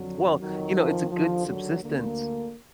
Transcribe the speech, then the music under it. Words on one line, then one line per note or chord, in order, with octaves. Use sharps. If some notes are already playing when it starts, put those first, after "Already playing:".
Well, you know, it’s a good subsistence,
Already playing: F2 D3 F#3
F2 D#3 F#3
F3
D#2 D3 F3
F#3
D2 D3 A#3